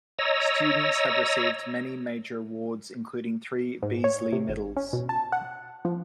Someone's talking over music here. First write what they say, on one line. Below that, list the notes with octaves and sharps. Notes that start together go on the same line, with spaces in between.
Students have received many major awards including three Beazley Medals.
C#5 D#5 A#5 E6
G#2
C#5
C3
G#1
C#4
B2
A5
F#5
F3